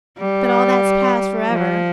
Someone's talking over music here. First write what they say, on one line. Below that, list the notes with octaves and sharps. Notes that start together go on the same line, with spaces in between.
But all that's past for ever.
G3
F3